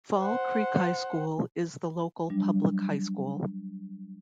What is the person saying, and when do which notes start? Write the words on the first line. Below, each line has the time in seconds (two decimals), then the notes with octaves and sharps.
Fall Creek High School is the local public high school.
0.19 C5 F#5
2.30 F#3 G3 D4